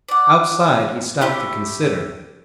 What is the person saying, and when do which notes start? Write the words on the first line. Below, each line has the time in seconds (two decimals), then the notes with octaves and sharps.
Outside, he stopped to consider.
0.08 D5 F#5
1.21 A3 E4 G4 C#6